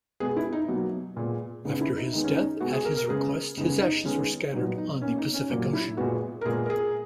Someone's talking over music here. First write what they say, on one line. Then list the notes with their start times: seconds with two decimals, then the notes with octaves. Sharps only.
After his death, at his request, his ashes were scattered on the Pacific Ocean.
0.20 B2 G#3 B3 G#4
0.37 E4
0.52 D#4
0.68 B2 F#3 A#3
1.17 A#2 G#3 B3
1.65 C#3 G#3 B3 D#4
1.81 E4
1.97 D#4
2.13 D#3 G#3 B3 D#4
2.24 C#4
2.34 D#4
2.60 B2 G#3 B3 F#4
2.73 G#4
2.85 A#4
2.97 A#4
3.09 C#3 G#3 B3 G#4
3.57 C#3 G#3 B3 D#4
3.81 D#4
4.05 D#3 G#3 B3 C#4
4.53 A#2 F#3 B3 D#4
4.78 D#4
5.01 B2 C#4
5.04 A#3
5.18 D#4
5.34 C#4
5.50 A#2 F#3 A#3
5.73 E4
5.97 A#2 G#3 B3 F#4
6.41 A#4
6.45 A#2 G#3 B3 G#4
6.66 A#4
6.70 G#4